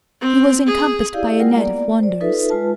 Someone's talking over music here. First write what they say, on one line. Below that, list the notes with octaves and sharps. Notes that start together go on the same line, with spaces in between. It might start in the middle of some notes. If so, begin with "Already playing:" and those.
He was encompassed by a net of wonders.
C4
G#4
E4 G4 G#4 D5 D#5 F5
G#3 F4 A#4 F#5 G5
A#3 B3 D5
C5 D5
D#4 F4 A4 B4 E5
G#3 F4 B4 A5